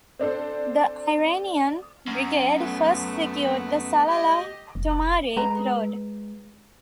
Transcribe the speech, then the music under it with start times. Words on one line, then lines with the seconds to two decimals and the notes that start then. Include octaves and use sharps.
The Iranian brigade first secured the Salalah-Thumrait road.
0.19 C4 D4 A4 C5
2.08 F#2
2.57 A3 B3
4.07 G4 D#5
4.75 F1
5.37 G#3 B4 A#5